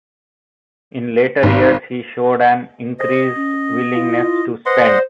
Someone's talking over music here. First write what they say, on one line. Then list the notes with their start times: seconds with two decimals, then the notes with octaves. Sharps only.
In later years, he showed an increased willingness to spend.
1.43 G#1
2.99 C5 D#5
3.36 C#4
3.94 E4 F4
4.66 B4 C5 D#5 F#5 C6
4.84 D5